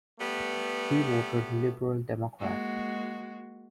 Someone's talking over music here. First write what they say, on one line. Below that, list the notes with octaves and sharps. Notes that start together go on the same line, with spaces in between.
He voted Liberal Democrat.
G3 A3 B3
G#3 A#3 F#4